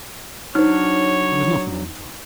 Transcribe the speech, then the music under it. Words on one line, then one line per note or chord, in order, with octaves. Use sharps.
It was not a long drive.
F#3 D4 D#4 C5 C#5 F6